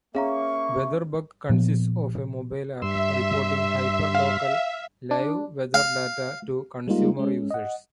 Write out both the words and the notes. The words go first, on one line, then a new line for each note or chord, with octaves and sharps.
WeatherBug consists of a mobile app reporting hyperlocal live weather data to consumer users.
A#3 C#4 G#4 E5 F5 A#5 C#6
A#2 F3 B3
G2 E5 C6 E6
F5
D4
F5
G3 G#3 A#3 D#4 F4
G#3 C#4
D#5 F#5